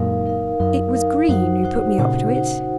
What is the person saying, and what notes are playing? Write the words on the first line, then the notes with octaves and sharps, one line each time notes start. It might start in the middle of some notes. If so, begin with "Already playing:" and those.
It was Green who put me up to it.
Already playing: F#2 A#2 D#4 A#4 F5
D#4 A#4 F5
F#2 D#4 A#4 F5
D#4 A#4 F5
F#2 D#4 F#4 C5 F#5
D#4 F#4 C5 F#5
A#2 C#3 D#4 F#4 C5 F#5
D#4 F#4 C5 F#5